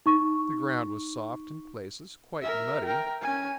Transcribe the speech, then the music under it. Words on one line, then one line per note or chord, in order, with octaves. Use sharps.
The ground was soft in places, quite muddy.
D#4 C#6
A#4 E5
A#4 G5
C#4 G#5